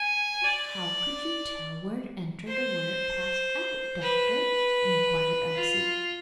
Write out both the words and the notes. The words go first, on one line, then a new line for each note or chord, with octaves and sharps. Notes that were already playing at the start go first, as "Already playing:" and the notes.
"But how could you tell where it entered or where it passed out, doctor?" inquired Elsie.
Already playing: G#5
D5
C5
B4
F4